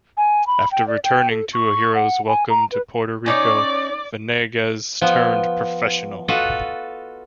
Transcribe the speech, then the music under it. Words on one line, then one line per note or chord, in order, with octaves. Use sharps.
After returning to a hero's welcome to Puerto Rico, Venegas turned professional.
G#5
B5
G5
D5
G5
A4
C#6
F#5
G#5
A#5
B4
C#4 D#4 C#5 D5 D6
F3 B3
F4 F#4 A4 B4 D#5